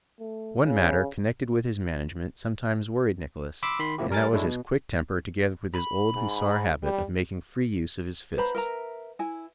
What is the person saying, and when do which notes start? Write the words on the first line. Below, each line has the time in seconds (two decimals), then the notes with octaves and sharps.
One matter connected with his management sometimes worried Nicholas, and that was his quick temper together with his old hussar habit of making free use of his fists.
0.20 A3
0.64 C#3
3.63 B5 C6 D6 E6
3.79 D#3 B5 C6
3.98 A2 C3 F3 A#3 E4 G4
4.10 G3 A#4 G#5 A6
4.33 F#3 G#3 A3 D4 E4
4.46 B2
5.75 B5
6.15 G#2
6.83 G3
8.38 B4 C5 A#5 B5
8.55 A#4 E5 A#5
9.19 E4 G#5